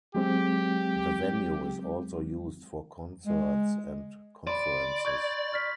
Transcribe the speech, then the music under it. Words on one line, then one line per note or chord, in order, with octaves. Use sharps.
The venue is also used for concerts and conferences.
F#3 G#3 C4 G4
G#3
D5 B5 C6
C#6 G6 G#6
C#6 F6 B6